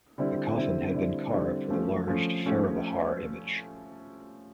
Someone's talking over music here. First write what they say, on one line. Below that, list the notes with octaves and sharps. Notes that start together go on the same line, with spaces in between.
The coffin had been carved with a large faravahar image.
D3 G3 C4 E4
D3 G3 C4 E4
D3 G3 C4 E4
D3 G3 C4 E4
F3 A3 C#4
F3 A3 C#4
F3 A3 C#4